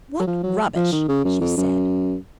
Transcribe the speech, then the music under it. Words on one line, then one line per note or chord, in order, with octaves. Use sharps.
"What rubbish!" she said.
F#3
F3
F#3
F3
D#3
C#3
F#2
F2
F#2